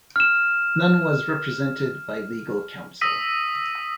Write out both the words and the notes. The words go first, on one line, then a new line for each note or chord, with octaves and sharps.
None was represented by legal counsel.
F6 E7
D#6 E6 A#6 B6 D#7